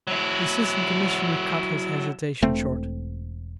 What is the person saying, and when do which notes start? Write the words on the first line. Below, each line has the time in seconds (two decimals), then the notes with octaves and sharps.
The Assistant Commissioner cut his hesitation short.
0.07 F#3 E4
2.42 E1 A3 C4